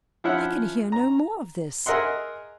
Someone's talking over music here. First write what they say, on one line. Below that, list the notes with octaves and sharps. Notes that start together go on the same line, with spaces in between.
I can hear no more of this.
F3 C#4 E4 E5 F#5
A#5
G#4 A#4 D#5 E5 F#5 C6